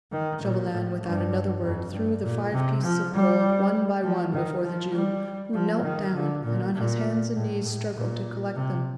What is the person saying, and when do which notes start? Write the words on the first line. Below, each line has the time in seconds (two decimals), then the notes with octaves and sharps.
Chauvelin without another word threw the five pieces of gold one by one before the Jew, who knelt down, and on his hands and knees struggled to collect them.
0.12 D#3
0.42 A#2
0.71 A2
1.03 G2
1.62 F2
1.92 G2
2.22 A#2
2.52 C3
2.83 F3
3.13 G3
4.03 F3
4.33 D#3
4.64 F3
4.94 G3
5.54 F3
5.83 D#3
6.14 D3
6.43 A#2
6.74 A#2
7.34 A2
7.64 A2
7.94 A#2
8.55 C3